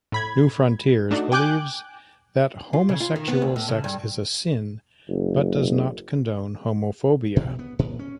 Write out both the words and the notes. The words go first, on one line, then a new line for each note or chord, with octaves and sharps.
Newfrontiers believes that homosexual sex is a sin, but does not condone homophobia.
A2 B5 G#6
A3 D4 D#4 F#4
G5 G#5 D6 F#6 G6
F4
C#3
F4
D#3
B3
D2
A2
C#3
G2
F#1
B2
B3
A#2
C#4